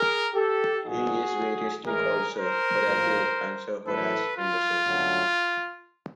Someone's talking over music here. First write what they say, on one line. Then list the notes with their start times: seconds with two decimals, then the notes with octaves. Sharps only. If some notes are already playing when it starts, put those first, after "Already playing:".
He is variously called Sir Horatio and Sir Horace in the sources.
Already playing: G#4 A#4
0.34 G4 A4
0.84 C2 A#2 F3 A#3 D#4 F#4 G#4
1.85 A2 E3 G#3 G#4 A#4
2.35 A#4 C5
2.85 A#1 A2 F3 A#3
3.86 A2 E3 A3 C4 E4 A4 B4
4.36 F4
4.86 G1 F#2 D3 F#3 A3